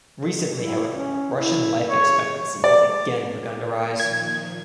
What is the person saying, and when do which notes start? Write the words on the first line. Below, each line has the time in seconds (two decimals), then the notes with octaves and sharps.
Recently however, Russian life expectancy has again begun to rise.
0.57 E4
0.95 C#4
1.37 E4
1.90 C#3 C#5
2.64 D5
4.00 A#2 D#3 F3 G#6